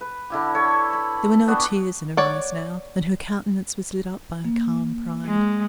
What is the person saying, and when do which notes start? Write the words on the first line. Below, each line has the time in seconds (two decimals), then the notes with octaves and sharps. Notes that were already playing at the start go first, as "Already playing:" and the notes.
There were no tears in her eyes now, and her countenance was lit up by a calm pride.
0.01 B4
0.30 D3 E4 G4
0.55 A4 C#5
0.93 B5
1.47 B3 D4 F#4 G4
2.17 C#5 D5 F#5
4.45 A#3
5.26 G#3